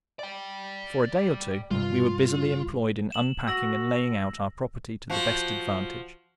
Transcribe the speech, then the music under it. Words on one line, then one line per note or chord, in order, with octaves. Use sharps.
For a day or two we were busily employed in unpacking and laying out our property to the best advantage.
D5 G5
G2 C3 G3 F4
E7 F#7
F#4 E6 A#6 F#7
F3 F#4